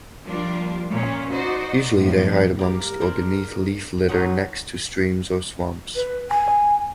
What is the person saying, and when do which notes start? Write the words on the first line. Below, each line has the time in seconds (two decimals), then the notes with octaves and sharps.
Usually they hide amongst or beneath leaf litter next to streams or swamps.
0.24 F3 G3 A#3 D4 F4
0.90 A#2 C#4
1.32 D#4 F#4 C5 D5 D#5
1.95 F2 A2 C#3 F3 G#3 B3
2.59 G3 A#3 G4 A#4
3.01 D4 G#4 C5
4.09 F3 F#3 D#4 F#4
5.96 B4
6.30 G#5